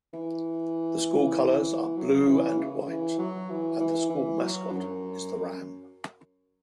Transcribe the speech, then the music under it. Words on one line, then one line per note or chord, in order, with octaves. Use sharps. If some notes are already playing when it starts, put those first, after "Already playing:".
The school colors are blue and white and the school mascot is the ram.
E3
F#3
E3
C#3
C#3
E3
F#3
E3
E3
E3
F#3
F#2